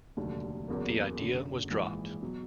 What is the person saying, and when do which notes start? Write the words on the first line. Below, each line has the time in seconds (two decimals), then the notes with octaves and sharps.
The idea was dropped.
0.17 F1 D#2 D3 F#3
0.68 F#1 E2 C#3 F#3 A#3
1.20 F#1 F#2 D3
1.70 A#1 G#2 E3
2.22 B2 F#3